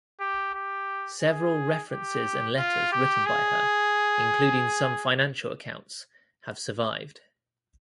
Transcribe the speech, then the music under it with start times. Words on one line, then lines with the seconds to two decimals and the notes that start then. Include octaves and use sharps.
Several references and letters written by her, including some financial accounts, have survived.
0.20 G4
0.54 G4
1.22 G#4
1.90 G4
2.58 F4
2.92 G4
3.26 G#4